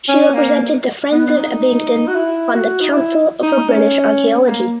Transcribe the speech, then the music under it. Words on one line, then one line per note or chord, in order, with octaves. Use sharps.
She represented the Friends of Abingdon on the Council for British Archaeology.
C#4
A#3
B3
D#4
F#4
E4
F#4
D#4
E4
D#4
C#4
A#3